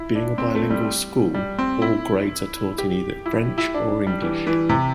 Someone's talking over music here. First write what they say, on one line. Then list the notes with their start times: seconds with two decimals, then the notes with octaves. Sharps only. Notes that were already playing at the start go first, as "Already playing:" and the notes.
Being a bilingual school, all grades are taught in either French or English.
Already playing: E4
0.15 D4
0.38 C4
0.55 A3
0.70 G3
1.34 G3
1.58 C4
1.82 E4
2.79 G4
3.26 E4
3.58 E4
3.74 D4
4.07 G3
4.22 E3
4.47 E3
4.69 C3